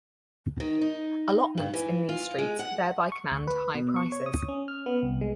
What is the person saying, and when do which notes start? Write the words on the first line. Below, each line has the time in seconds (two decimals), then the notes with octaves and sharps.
Allotments in these streets thereby command high prices.
0.60 D#3
0.81 D#4
1.58 G2
1.74 E3
2.09 F4
2.39 G#3
2.59 F#5
3.12 C#6
3.31 D2
3.47 B4
3.75 B2
3.96 C#6
4.12 C#5
4.26 D#6
4.48 C#4
4.68 F6
4.86 B3
5.03 C2
5.21 G#3